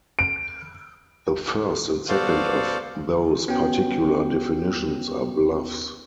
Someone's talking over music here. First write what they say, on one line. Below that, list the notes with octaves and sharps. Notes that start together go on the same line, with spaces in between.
The first and second of those particular definitions are bluffs.
D7
B3 F#4 A4 C5 D5 F5
B3 C#4 F#4 G5